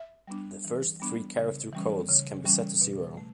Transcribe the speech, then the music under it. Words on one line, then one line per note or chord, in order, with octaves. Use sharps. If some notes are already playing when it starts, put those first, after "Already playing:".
The first three character codes can be set to zero.
Already playing: E5
G3 B3 D4
E3
G3 B3 D4
C#3
E3 G3 C#4
C#3
E3 G3 C#4
B2
A3